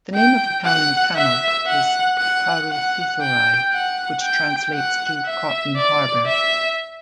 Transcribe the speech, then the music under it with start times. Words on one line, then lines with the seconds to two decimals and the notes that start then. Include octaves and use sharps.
The name of the town in Tamil is 'Paruthithurai', which translates to 'Cotton Harbour'.
0.15 G5
0.65 F#5
1.16 E5
1.67 F#5
2.18 F#5
2.69 F#5
3.21 G5
3.71 F#5
4.23 G5
4.74 F#5
5.25 E5
5.76 D5
6.26 E5